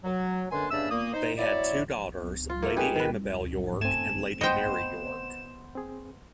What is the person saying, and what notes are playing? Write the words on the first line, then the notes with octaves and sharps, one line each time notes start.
They had two daughters, Lady Amabel Yorke and Lady Mary Yorke.
F#3
F#2 B2 D3 D4 G#5 C6
G2 C#3 D4 E5 E6
A#2 A#3 D#6
D#4 C5
F#3 E4 C#5 D5
F4
A3 A#3
D#4 G4 G#4 B4
D#3 B4
A3 C4 G#5 A5 E7
B3 C5 D#5 G5
C4 G#4